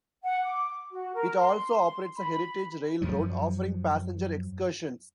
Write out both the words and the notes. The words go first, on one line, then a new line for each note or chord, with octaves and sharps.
It also operates a heritage railroad, offering passenger excursions.
F#5
D6
F#4
A#4
C6
B5
F#2 F3 F#3